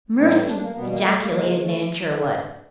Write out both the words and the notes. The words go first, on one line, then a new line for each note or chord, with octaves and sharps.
"Mercy!" ejaculated Nan Sherwood.
A2 E3 G3 D#4
D4
A#3
B2 G3 B3
A#3
A3
A#3
C#3 E3 G#3
A3